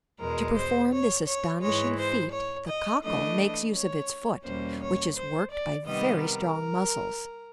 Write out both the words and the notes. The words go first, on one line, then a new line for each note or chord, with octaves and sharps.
To perform this astonishing feat the Cockle makes use of its foot, which is worked by very strong muscles.
E2 B2 G#3 A#4
C5
C#5
C#5
G#2 E3 G#3 C#5
C5
C#5
D#5
E3 A3 D4 D#5
C#5
E2 B2 G3 A#3 C#4 C5
C#5
C5
D5
C3 D#3 G3 B3 D#5
A#4